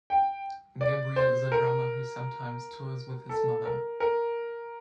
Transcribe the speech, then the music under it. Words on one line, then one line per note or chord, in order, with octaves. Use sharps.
Gabriel is a drummer who sometimes tours with his mother.
G5
D5
C5
A#4
A4
A#4
A#4